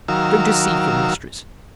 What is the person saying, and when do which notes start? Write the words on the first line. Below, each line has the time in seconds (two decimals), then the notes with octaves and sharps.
Don't deceive your mistress!
0.08 D#3 F#3 A#4 F5 E6